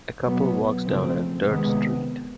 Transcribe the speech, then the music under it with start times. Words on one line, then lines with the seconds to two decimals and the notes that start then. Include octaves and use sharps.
A couple walks down a dirt street.
0.24 B2 F#3 B3
0.85 C#3 F3 A3 C4
1.47 C3 D#3 G#3 B3